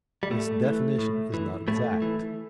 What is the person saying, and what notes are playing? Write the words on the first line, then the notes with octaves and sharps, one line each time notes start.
'This definition is not exact.
G3
A2 A3
E3
A2
E3
A2 A3
E3